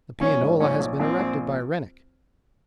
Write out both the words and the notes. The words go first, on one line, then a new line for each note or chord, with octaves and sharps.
The pianola has been erected by Rennick.
A#1 C#4
G#2
A#1 C#4
A#1
A#1 C4
A#1